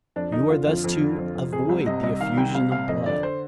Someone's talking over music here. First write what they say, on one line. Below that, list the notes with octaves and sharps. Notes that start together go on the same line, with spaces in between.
You are thus to avoid the effusion of blood.
F2 D4
D3 D#4
D3 F4
F2 F4
F2
D3
F2
F2
C3 G#4
C2
C3 D#5
C2 D#5
D#3 F5
C2 G5
C2 F5
C3 F5
F2 D#5
D3 D5
C5